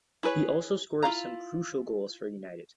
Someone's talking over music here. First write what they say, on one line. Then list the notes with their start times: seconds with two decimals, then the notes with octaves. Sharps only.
He also scored some crucial goals for United.
0.23 E4 G#4 B4 C#5
1.03 E4 F4 F5 A#5